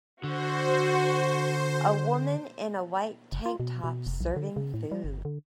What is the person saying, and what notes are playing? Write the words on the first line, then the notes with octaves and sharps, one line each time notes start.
A woman in a white tank top serving food.
D3 F#4 C5
F#1
F4
B2
B2
F1
B1
D3
C#3
A2
G3
G1
D3